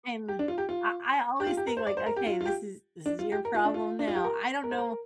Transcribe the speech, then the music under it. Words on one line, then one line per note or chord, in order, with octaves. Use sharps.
and I I always think, like, "Okay, this is this is your problem now," I don't know.
G4
D4
F4
G4
F4
G4
F4
G4
A#4
C5
D5
C5
A#4
G4
F4
F4
G4
D4
F4
G4
A#4
F4
D4
F4
D4
F4
G4
A#4
A#4
C5
A#4